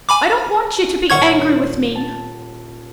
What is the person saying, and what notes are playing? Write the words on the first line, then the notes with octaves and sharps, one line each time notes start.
But I don't want you to be angry with me.
G#5 B5 D6
D#1 C#5 F#5 C#6 F6 G#6
A5